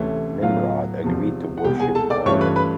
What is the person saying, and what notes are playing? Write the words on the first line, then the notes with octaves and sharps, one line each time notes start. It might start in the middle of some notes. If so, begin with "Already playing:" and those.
Nimrod agreed to worship water.
Already playing: D2 C3 E3 A3 C#4
A2 F#3 B3 F4 F5
E2 C3 F3
F#5
C2 B2 G#3 G4 G5
G#4 G#5
A4 A5
D5 D6
G2 E3 A3 C#4 F4 C#5 C#6
B4 B5
B4 B5